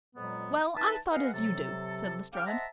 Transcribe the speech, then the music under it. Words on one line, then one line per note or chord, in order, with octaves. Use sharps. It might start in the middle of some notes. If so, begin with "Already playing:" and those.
"Well, I thought as you do," said Lestrade.
F2 A#2 F#3 G#3 B3
E3 D#4 B4 A5
G#4 B4 D#5 F5 F#5
C3 F#3 A4
C#3 F5 G5 D6 F6
C5 D#5 E5 F#5 A5 A#5